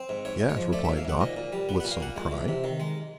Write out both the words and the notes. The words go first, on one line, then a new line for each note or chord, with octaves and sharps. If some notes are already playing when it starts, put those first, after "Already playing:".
"Yes," replied Dot, with some pride.
Already playing: C4
G#2
G#2 C#5
G#2
C#5
F3
A3 D5
E5
G#2
F5
G#2 F#5
A#2 D#5
A#2
G3
B3
A#2 F#5
F5
A#2 F#5
G#3
E2
C3
D#3
G#3